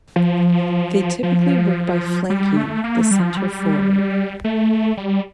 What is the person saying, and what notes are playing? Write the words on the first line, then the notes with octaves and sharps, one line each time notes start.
They typically work by flanking the centre forward.
F3
F3
G3
A3
A#3
A3
G3
F3
G3
A3
G3